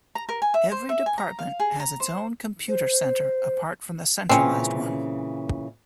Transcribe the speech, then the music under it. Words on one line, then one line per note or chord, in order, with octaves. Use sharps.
Every department has its own computer centre apart from the centralised one.
A#5
A#4
G#5
E5
C5
E5
G#5
A#5
F5
G#4
A#5
C5
C5
A#2 C#3 E3 C4 C#4